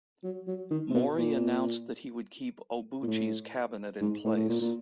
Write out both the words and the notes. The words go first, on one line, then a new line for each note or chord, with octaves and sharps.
Mori announced that he would keep Obuchi's cabinet in place.
F#3
F#3
D#3
C3
B2
A#2
A#2
A2
G#2
A2
A2
A#2
A#2